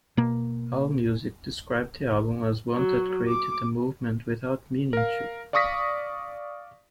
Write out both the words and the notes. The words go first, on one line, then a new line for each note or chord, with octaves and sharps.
Allmusic described the album as one that created a movement without meaning to.
B2 A#3
F#3
D6
A#4 F5
D5 F5 C#6 D#6 A#6 B6